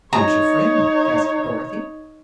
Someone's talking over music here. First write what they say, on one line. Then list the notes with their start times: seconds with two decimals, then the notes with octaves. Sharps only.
"Who is your friend?" asked Dorothy.
0.13 D#4 C#5 A#5